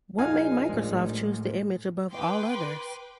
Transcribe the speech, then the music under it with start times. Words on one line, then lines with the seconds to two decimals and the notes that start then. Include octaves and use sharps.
What made Microsoft choose the image above all others?
0.18 A#1 D#4 F5 G#5
0.69 A2 G#3
2.11 B4 G5 C6 D6